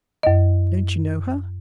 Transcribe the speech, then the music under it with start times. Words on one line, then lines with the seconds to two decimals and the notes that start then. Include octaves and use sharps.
"Don't you know her?"
0.23 F#2 D#5